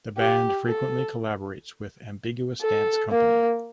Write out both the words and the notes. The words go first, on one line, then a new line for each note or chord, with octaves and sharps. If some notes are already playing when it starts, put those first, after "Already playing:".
The band frequently collaborates with Ambiguous Dance Company.
G4
A4
A4
A#3